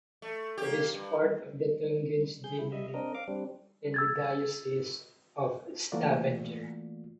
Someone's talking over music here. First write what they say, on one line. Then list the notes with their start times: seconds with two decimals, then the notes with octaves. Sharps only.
It is part of the Tungenes deanery in the Diocese of Stavanger.
0.22 A3
0.58 A#3 G4
0.93 G2
2.44 G#4 G6
2.59 E4
2.72 G3 D#5 E5
2.94 C4 D4 A#4 D#5
3.15 F5 D6
3.28 G3 C4 D4
3.94 E6 G#6 A6
5.92 E3 A3 A#3 F4 F#4 D5